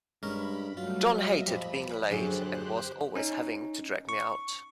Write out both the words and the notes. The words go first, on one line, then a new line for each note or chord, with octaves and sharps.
John hated being late, and was always having to drag me out.
G2 G#3 C#4 A#4 B5
F#3 G3 A3 F4
D#5 E5
F2 A#2 F3 G4 B5
F#2 D3 F#3 G4 G#4 C5 C6 F#6
C#4 D#4
C#6